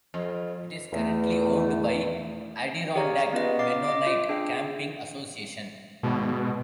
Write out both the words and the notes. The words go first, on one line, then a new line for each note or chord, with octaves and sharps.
It is currently owned by Adirondack Mennonite Camping Association.
F2
E2 A3
G4 G#4 C#5 D5 F5 A#5
B3 C#4 F4 B4 D#5 F#5
F5 D6 A6 C7
D#5 D6
F4
D4 G#4 G5 C7
G#1 B2 G#3
G#3